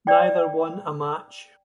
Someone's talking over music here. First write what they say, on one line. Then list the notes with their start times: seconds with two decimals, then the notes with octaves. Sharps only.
Neither won a match.
0.07 D5 G5